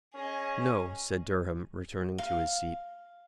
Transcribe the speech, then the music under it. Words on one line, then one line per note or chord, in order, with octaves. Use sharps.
"No," said Durham, returning to his seat.
C#4 G#4 D#5
F5